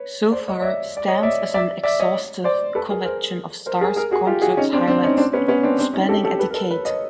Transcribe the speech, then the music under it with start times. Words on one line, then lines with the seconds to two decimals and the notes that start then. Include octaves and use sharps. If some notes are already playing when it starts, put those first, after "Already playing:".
So Far stands as an exhaustive collection of Starr's concert highlights spanning a decade.
Already playing: B4 C#5
0.32 C5 D5
0.48 C#5 D#5
0.62 D5 E5
0.97 D5
1.08 C#5 D#5
1.23 D5 E5
1.54 D5 E5
1.83 D5 E5
2.00 C#5 D#5
2.44 C5 D5
2.75 A4 B4
2.90 G#4 A#4
3.05 A#4 C5
3.66 A#4 C5
3.81 G#4 A#4
3.96 G#4 A#4
4.11 F#4 G#4
4.27 F4 G4
4.42 F#4 G#4
4.57 C#4 D#4
4.73 C4 D4
4.88 C4 D4
5.03 C#4 D#4
5.18 C4 D4
5.33 B3 C#4
5.48 B3 C#4
5.63 C4 D4
5.79 C4 D4
5.94 C#4 D#4
6.09 G4 A4
6.24 G4 A4
6.39 A4 B4
6.50 A#4
6.54 A4 B4
6.71 B4 C#5
6.85 C#5 D#5